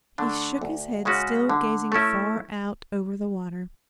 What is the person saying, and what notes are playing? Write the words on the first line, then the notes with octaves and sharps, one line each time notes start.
He shook his head, still gazing far out over the water.
D3 A3 D4
D2
C#3 G#3 C#4 F#4
D3
A3 C#4 E4